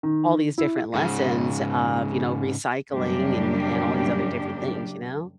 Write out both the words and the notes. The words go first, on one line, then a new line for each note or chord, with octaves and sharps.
All these different lessons of, you know, recycling and and all these other different things, you know?
D#3
E4
G#2 C#3
F#2 C#3 G3 A#3 D4 G4